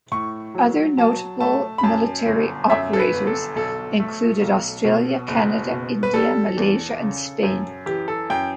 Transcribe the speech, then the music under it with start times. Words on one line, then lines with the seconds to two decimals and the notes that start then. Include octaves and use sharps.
Other notable military operators included Australia, Canada, India, Malaysia and Spain.
0.12 A2 C#6
0.55 F#3
0.97 F#3 A5
1.40 A3 A5
1.78 B5
1.83 F#2 A5
2.26 G1
2.70 F#2 E5
2.93 A4
2.99 B4
3.13 G1
3.27 A4
3.56 B1 A4
4.00 A3
4.42 B1
4.85 B2
5.28 F#1
5.71 B2
6.03 B4
6.14 G3 A4
6.58 E2
7.00 C#3
7.43 F#2
7.86 E3 G4
8.08 A4
8.30 F#2 G5